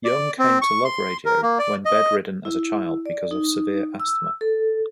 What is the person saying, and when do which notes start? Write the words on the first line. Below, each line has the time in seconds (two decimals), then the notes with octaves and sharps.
Young came to love radio when bedridden as a child because of severe asthma.
0.05 D5
0.39 C4
0.62 C#6
0.85 C6
1.25 A#4
1.43 A#3
1.59 D5
1.85 D#5
2.45 E4
3.06 D5
3.31 D#4
4.00 E6
4.41 A4